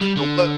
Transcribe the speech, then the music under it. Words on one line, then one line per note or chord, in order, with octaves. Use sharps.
But what
G3
D3